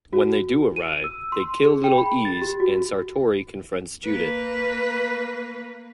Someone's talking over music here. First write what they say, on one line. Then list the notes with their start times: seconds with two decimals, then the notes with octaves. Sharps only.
When they do arrive, they kill Little Ease and Sartori confronts Judith.
0.13 F#4
0.76 D#7
1.04 E6
1.32 C6
1.65 G#4
1.84 G5
1.98 B5
2.25 A6
2.42 G4
2.60 F#4
4.04 A#3 B4